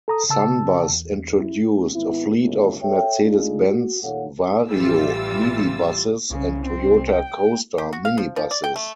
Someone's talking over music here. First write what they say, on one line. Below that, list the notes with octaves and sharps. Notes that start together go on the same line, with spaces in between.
Sunbus introduced a fleet of Mercedes-Benz Vario midibuses and Toyota Coaster minibuses.
A4 A#5 D#6
C#3 A5 E6
E2
E4
G#1 B3 E4
G1 C#2 A2
A4 C#5 E5 G5
G#3 A3 D4 D#4 F4 G#4
F#4
D#2 A#2 A4 C#5 F5 F#5
A1 E3 G3 F4 E6 A6
C2 C#3
C4
G5
G4
F#4
F5
F3
F3
D5
G5
A3